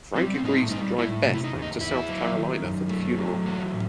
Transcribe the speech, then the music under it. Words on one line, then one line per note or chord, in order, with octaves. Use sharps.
Frank agrees to drive Beth back to South Carolina for the funeral.
G3 C4
C4
A2 D#4
C4
G3 D#4
A2 E4
C3
E4
D#4
E2
D#4
E2 E4
F#3
D#3
F#2
A3
F#3
E3 F#4
A2